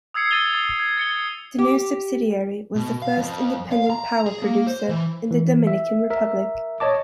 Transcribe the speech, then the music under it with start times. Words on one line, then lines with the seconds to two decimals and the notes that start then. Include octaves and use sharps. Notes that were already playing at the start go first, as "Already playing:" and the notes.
The new subsidiary was the first independent power producer in the Dominican Republic.
0.14 D#6 E6 G#6 C7 C#7
0.31 A6 D#7 F7 G7
0.53 D#6 A6
0.79 G#6
0.97 A6 C#7 G7
1.59 G4
2.75 B2
3.02 F5
3.17 F2
3.72 F5
3.90 A#5
4.26 G#4
4.42 A#3
4.67 C5
4.89 E3
5.31 E3
5.67 E5
6.10 A#4 E5
6.80 C#5 D#5 A5 D6